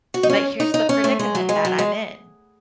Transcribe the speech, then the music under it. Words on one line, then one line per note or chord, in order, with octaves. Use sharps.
But here's the predicament that I'm in.
F#4
D#4
C#4
D#4
D#4
C#4
A3
G#3
F#3
G#3
F#3
G#3